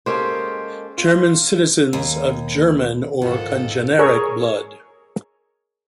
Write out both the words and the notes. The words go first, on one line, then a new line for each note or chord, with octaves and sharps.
German citizens "of German or congeneric blood".
G#3 A#3 C#4 G4 A4 C5
F4
D#2
A1 F2 G#2 D#3 F4 A4 F#5
G#4 A#4 C#5